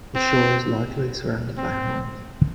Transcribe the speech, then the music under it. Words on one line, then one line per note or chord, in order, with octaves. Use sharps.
The shore is largely surrounded by homes.
C4
C4